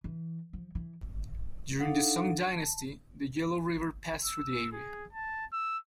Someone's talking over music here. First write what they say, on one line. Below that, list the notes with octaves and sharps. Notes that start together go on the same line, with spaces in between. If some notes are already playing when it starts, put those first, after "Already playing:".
During the Song Dynasty, the Yellow River passed through the area.
E3
F3
E3
D4 D#4 A4 F5 F#5
A5
E6
G#4
A5
E6